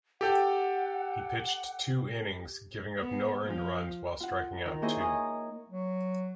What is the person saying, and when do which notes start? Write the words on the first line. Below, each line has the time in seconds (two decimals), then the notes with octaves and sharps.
He pitched two innings, giving up no earned runs while striking out two.
0.21 G4 A4 F#5 G5
2.99 B3
3.46 F3
4.20 F4 F#5
4.65 D#3 A#4
4.82 A#3 E4 G#4 C5 C#5 D#5
5.00 D#5 G#5 A#5 C#6 D#6
5.70 F#3